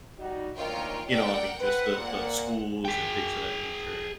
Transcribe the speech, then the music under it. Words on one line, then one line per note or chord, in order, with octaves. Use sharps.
you know, I mean, just the the schools and things of that nature, and,
G3 D#4 F#4
D2 A#2 D#3 F4 C#5 G5
A3 A#4 D5 F#5 G5
C4 B4 F#5
A#2
G#4 G5